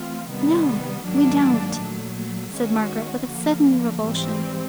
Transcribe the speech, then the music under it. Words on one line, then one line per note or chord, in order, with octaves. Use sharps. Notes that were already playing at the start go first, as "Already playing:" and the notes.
"No, we don't," said Margaret, with a sudden revulsion.
Already playing: E3 A3 C4 F4
C3 D#3 G3 B3
G#2 D#3 F#3 A#3 D4
A#2 F#3 A3
D#3 G#3 C#4 F#4
D3 F3 A#3
G#2 E3 G3 C4